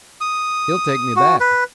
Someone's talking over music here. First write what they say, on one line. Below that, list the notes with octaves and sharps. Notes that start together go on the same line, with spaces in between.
He'll take me back.
D#6
F#4
B4